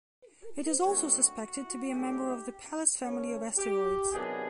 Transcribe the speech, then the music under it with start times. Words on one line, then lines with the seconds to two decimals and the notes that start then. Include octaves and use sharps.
It is also suspected to be a member of the Pallas family of asteroids.
0.82 F#2 D3 F#3 A3 C4 F#4
1.92 G#2 E3 A3 C#4 G4
3.02 C#3 F3 A#3 C#4
3.57 G4
4.11 C3 D#3 F#3 B3 D4 G#4